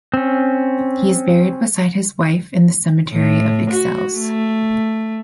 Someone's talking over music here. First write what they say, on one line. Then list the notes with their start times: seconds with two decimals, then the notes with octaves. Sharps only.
He is buried beside his wife in the cemetery of Ixelles.
0.14 C4 C#4
3.13 A2
3.71 F#4
4.18 A3